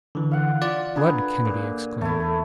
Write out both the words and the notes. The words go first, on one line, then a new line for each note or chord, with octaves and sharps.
"Blood!" Kennedy exclaimed.
D3 E3
F5 F#5
F4 D5
D4 G#4 A#4 B4
A#2
E2 A3 E4